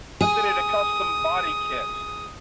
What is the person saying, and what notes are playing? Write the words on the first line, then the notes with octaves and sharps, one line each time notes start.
I fitted a custom body kit.
G#4 D#6